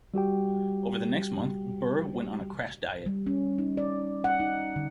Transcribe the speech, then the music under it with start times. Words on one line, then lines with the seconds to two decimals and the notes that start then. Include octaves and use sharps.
Over the next month, Burr went on a crash diet.
0.14 G3 F#4 G4 G5
3.06 G3
3.26 C#4
3.58 D#4
3.77 D5
4.24 F#5
4.40 D#4
4.76 D3